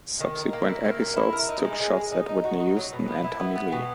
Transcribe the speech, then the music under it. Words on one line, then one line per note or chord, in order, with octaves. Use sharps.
Subsequent episodes took shots at Whitney Houston and Tommy Lee.
D#3
A#4
A#3
E4
A#3
A#3
E4
A#4
D#4
G#3
G#3
G#3
D#4
D#4
F#4
D#4
F#3
B2
B3
E4
B3
B3
B2